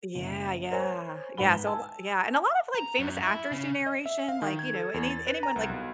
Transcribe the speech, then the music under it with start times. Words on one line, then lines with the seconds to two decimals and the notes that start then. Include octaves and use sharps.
Yeah, yeah. Yeah, so a l yeah, and a lot of, like, famous actors do narration, like, you know, any anyone like
0.15 F#1
0.71 A#4 C5 C#5 G#5
1.37 G#2 B4 F#5 B5 G7
1.66 G#5 A5 E6
2.75 A#5
2.99 F#2
3.23 E4
3.52 C#3
3.86 D#5
4.06 E5
4.29 F5
4.42 D#3
4.59 G#6
4.74 A4
4.94 E2
5.10 A6
5.27 B4
5.43 A#5
5.56 C2
5.69 B1